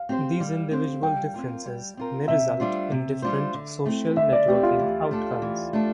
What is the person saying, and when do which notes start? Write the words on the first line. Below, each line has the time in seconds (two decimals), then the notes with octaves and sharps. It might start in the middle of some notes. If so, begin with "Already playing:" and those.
These individual differences may result in different social networking outcomes.
Already playing: F5
0.09 C4 G4 C5
0.40 G3
0.71 C4 G4 C5
1.03 G3 G5
1.34 C4 F4 A#4
1.66 G3
1.97 C4 F4 A#4
2.28 C3 E5
2.60 G3 D4 F4 C5
2.92 C3
3.22 G3 D4 F4 C5
3.54 D3
3.85 A3 C4 E4
4.16 D3 E5
4.33 D5
4.48 A3 C4 E4 G4
4.63 F4
4.79 E3
5.11 A3 D4 A4
5.42 E3
5.73 A3 D4 A4